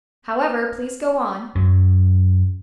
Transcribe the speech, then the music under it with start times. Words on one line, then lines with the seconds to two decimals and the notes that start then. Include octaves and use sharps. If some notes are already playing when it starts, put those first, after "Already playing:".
"However, please go on."
1.55 F#2 F#3